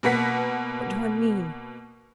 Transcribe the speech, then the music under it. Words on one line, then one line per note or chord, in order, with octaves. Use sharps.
What do I mean?
B2 A#3 B4 F#5 B6